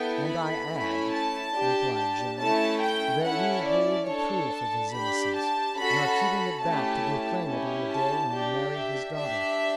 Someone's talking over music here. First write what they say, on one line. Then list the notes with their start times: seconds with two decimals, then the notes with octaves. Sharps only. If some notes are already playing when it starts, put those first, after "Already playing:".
"And I add," replied Joam, "that you hold the proof of his innocence, and are keeping it back to proclaim it on the day when you marry his daughter."
Already playing: B3 E4 A4 G5
0.27 B5
0.70 A3 C#4 E4
1.12 A5
1.54 D4 G4
1.96 A5
2.39 A3 C#4 E4 A5
2.81 G5
3.23 C#4 E4 A4 F#5
3.65 D5
4.08 D4 A4 C#5
4.51 A5
4.92 D4 G4 B5
5.35 A5
5.78 C#4 F#4 A4 B5
6.20 B5
6.62 A3 C#4 E4 G4 A5
7.47 C#4 E4 G4
7.89 A5
8.31 D4 G4
8.74 E5
9.16 D4 G4 E5